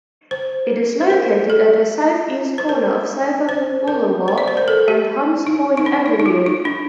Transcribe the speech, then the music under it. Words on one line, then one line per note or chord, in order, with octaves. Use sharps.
It is located at the southeast corner of Southern Boulevard and Hunts Point Avenue.
C5
C5
A#4
A4
C5
A#4
C5
A#4
C5
D5
C5
A#4
A4
G4
D#4
D#4
D4
D#4
D#4
F4
D#4
D4